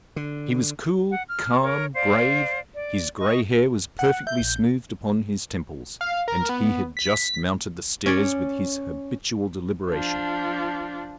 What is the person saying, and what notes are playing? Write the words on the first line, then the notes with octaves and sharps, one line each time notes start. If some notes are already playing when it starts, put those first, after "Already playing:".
He was cool, calm, grave, his gray hair was perfectly smooth upon his temples, and he had just mounted the stairs with his habitual deliberation.
D3
F#5
F6
A#4 C#5
C5 D5 F5
D5
D#5 C#6
F#5
E5 G6
A#1
F5
A#4
B3
B6
C#4 C#5 D5
F3 D4